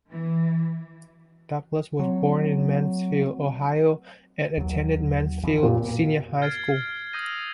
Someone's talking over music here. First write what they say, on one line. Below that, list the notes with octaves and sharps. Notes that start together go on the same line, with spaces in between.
Douglas was born in Mansfield, Ohio and attended Mansfield Senior High School.
E3
F#3 A3 C4
D#2 F#3
F2 E3 F3
F#2 A#2
F6 G#6 A6 C7 D7
D#6 E6 G6 A#6 D#7